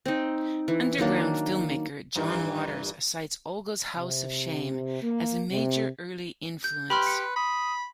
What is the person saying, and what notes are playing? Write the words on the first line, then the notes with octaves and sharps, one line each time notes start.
Underground filmmaker John Waters cites "Olga's House of Shame" as a major early influence.
C4 D#4
E3
D#3 F#3 A#3 D4
G2 A#2 E3
C3
A#3
C3
G6
G4 B4 B5 C6 F6
C#7
B5 D#6